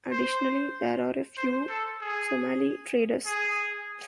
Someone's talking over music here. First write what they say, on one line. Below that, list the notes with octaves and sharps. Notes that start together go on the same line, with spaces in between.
Additionally, there are a few Somali traders.
C5
C5
A4
G#4
G#4